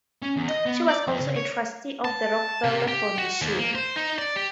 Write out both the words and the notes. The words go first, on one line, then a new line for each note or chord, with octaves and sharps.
She was also a trustee of the Rockefeller Foundation.
C#4
E2
D#5
B3
D5
F2
C#3
C#5
A5
C3
G4
F#4
D#2
A#3
C5
D#4
D5
G4